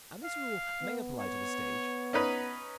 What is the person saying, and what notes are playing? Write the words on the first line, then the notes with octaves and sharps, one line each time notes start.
And this rule may apply to the stage.
F5
B3
C#5
C#4 D#4 B4